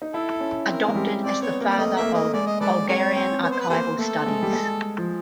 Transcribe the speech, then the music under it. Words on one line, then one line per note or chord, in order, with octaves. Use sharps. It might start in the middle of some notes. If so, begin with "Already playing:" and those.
Adopted as the father of "Bulgarian archival studies".
D#4
E4 A4
C#4
C4 A#4
G#3
G3
C4 D5
B3 C#5
A#3
D5
A3 D#5
A#3 E5
A3
D#5
G#3 D5
D#5
G#3 A4 B4 D5
C4 G#4 A#4 C#5
C4
C4
B3 C#5
C5
B4
A#3 G4 A4 C5
A3 A4
G#3
G3
G#3
F3